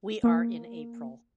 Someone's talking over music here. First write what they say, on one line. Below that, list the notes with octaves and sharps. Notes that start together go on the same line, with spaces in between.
We are in April.
A#3